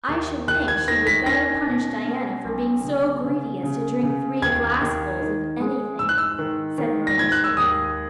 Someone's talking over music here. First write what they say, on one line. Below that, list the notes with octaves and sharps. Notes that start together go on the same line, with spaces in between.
"I should think she would better punish Diana for being so greedy as to drink three glassfuls of anything," said Marilla shortly.
D#2
D#2 F#6
G#6
D#3 A#6
B6
C#4 A#6
B2
C#4
B1
C#3
C#3
C#3
C#3
D#2 G#6
D#2
D#3
G#3
G#2 E6
F#6
E6
D#3
D#3
A#6
G#2 G#6
F#6
E6
D#2 D#6